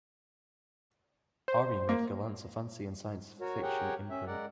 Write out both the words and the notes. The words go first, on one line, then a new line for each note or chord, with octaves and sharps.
Orion made Gollancz a fantasy and science fiction imprint.
C5
A#3
F#4 A#4 C#5
G4 G#4 A#4 C#5 F#5 G5
C#4 E5
G#3 A#4 D5 F#5